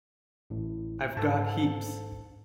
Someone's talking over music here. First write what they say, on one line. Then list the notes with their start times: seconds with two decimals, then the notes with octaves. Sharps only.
I've got heaps.
0.50 A1 A2
1.17 G#2 A4 A5